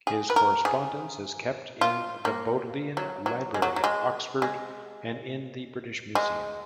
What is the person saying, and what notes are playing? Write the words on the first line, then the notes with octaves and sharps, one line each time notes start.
His correspondence is kept in the Bodleian Library, Oxford and in the British Museum.
G#4
B4
A#4
G#4
F4
A#3
F#3
F#3
G#3
F#3
F#3
G#3
G#3
G#3